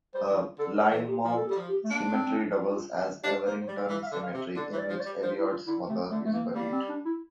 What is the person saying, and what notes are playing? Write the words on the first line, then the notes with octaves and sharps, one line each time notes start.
Lynemouth Cemetery doubles as Everington Cemetery, in which Elliot's mother is buried.
G3 C5
E3
F3
D3 A4
A#4
E3 A4
G4
F3 F4
A4
G4
G3
F3
G4
A3
A#3 D4
C4
C4
D4
F4
D4 G4
A#3 C5
C5
G3 D5
F5
E3 E5
F5
E5
D3
F5
C3
E5
D3 D5
E3 C5
D5
F3
C5
D5
G3
F3 C5
E4
F4
D3 E4
C3 A3
D3 A3
A3
E3 A#3
G3 A#3
C4
D4
E4